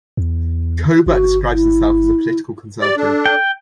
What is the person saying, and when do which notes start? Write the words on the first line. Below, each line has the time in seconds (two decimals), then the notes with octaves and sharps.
Covert describes himself as a political conservative.
0.17 E2
1.06 G1 F#4
1.53 E4
2.81 G4 D5
2.97 D4 A4
3.26 G5